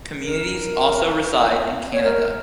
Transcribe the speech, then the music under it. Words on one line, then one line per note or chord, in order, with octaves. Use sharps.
Communities also reside in Canada.
A#4
C#5
A#4